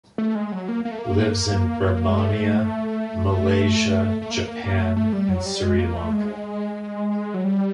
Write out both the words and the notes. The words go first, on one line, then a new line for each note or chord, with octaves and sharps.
Lives in Birmania, Malaysia, Japan and Sri Lanka.
A3
G#3
F#3
A#3
A#3
A3
A#3
G#3
A3
A3
A#3
A#3
A#3
A3
A3
G3
F#3
G3
G#3
A#3
A3
G#3
F#3
G3